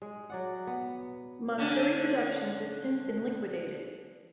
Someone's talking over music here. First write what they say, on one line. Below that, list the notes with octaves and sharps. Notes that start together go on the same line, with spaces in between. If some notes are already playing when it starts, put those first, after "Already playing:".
Matsuri Productions has since been liquidated.
G#3
F#3 D5 F#5
B3
D3 C#4 D4